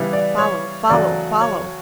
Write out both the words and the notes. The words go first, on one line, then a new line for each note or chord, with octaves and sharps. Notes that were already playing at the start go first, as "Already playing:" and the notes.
Follow, follow, follow!
Already playing: C#3 E3 G3 B3 E4
D5
C#5
E2 C#3 F#3 A3 D5
C#5